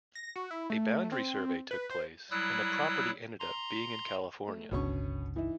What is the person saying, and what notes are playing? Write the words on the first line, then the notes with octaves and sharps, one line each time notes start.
A boundary survey took place, and the property ended up being in California.
A#6
F#4
E4
A3
C4
B4
C5
F#3 G3 E4 D#6 E6 F#6
A#5 C6
A3
G1 C#2 B2 C#4 D4 C#6
E3 D#4 E4